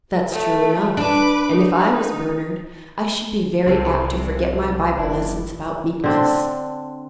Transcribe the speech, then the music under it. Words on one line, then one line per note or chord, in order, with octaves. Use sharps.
"That's true enough; and if I was Bernard, I should be very apt to forget my Bible lessons about meekness."
A3
D4 B4 D6
D#4
C2 C3 C4 A4
F#1 D4 E4
D3 C4 D4